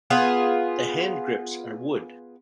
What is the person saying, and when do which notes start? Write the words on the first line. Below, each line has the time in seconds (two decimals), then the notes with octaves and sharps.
The handgrips are wood.
0.10 B3 F4 G#4